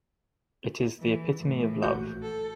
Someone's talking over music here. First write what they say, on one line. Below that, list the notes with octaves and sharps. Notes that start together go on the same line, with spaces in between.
It is the epitome of love.
E3
A2 E3
A#1 F#4 G6
A4